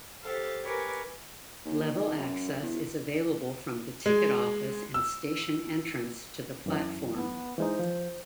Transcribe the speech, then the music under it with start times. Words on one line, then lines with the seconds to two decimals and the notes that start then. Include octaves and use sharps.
Level access is available from the ticket office and station entrance to the platform.
0.22 G4 A4 C5 F5
0.64 G4 A#4 B4 C#5 G#5 D6
1.65 D#2
1.94 D#3
2.17 F#2
2.62 E2
4.06 G#3
4.94 E6
6.66 F#2 E3 F#3
7.14 B3
7.58 E3 G#3 D#4 C5
7.79 F3